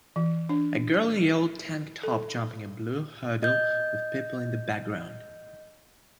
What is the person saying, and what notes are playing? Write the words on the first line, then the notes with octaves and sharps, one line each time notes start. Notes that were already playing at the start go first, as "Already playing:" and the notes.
A girl in a yellow tank top jumping a blue hurdle with people in the background.
E3
D4
A4
D#5 G6